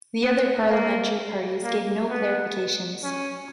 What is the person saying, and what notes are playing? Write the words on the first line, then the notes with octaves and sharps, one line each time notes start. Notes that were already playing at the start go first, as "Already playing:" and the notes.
The other parliamentary parties gave no clarifications.
B3
A#3
A#3
B3
C#4